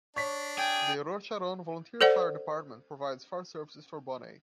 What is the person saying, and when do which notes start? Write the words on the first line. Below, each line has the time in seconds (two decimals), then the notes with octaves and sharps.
The Rosharon Volunteer Fire Department provides fire services for Bonney.
0.16 D4 C#5 B6
0.58 G#4 G5
2.01 A4 C5 D5 F#5